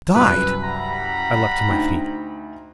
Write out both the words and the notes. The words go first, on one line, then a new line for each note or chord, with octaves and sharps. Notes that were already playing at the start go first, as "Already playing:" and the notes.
"Died!..." I leaped to my feet.
C2 F#2 B4
G3 F#5 A#5 B5
D2 D#4 G5